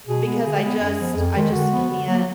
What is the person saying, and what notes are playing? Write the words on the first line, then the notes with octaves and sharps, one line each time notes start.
because I just I just can't
B2 G#4
G#3 B3
D3 G#4
G#3 B3
F#2
F3 B3
F2
D#3 G#3
D3 F#4
F3 B3
D3
F#3 A#3